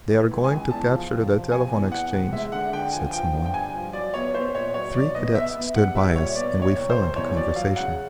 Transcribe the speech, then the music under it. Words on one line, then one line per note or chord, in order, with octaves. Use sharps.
"They are going to capture the Telephone Exchange," said some one. Three cadets stood by us, and we fell into conversation.
E3
C#2
G#5
C#2
E2 A5
F3
C3
F3
C3 G#5
E2
E2 F#5
C3
G#3 E5
D3 F#5
D3 G5
F3 G#5
F3 G5
D3
G5
G2 G#5
F3
F#3 D5
B3 C#5
B3 C5
A#2 C#5
F#3 C#5
B1 D5
B3 D#5
B3 E5
B3
G3 F#5
G3 E5
A#2 C#5
B3 D5
A#2
C#5
C2
C5
C2
E2 C#5
F#3 D5
F#3 F5
C#3 F#5